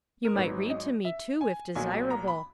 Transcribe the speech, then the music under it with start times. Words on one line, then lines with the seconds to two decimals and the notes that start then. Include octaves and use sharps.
You might read to me, too, if desirable.
0.25 A#4
0.35 G#1 G#2 F#3 B4
0.70 D#5
1.05 E5
1.41 G#5
1.75 B1 A#2 F#3 G#5
2.10 A#5
2.28 B5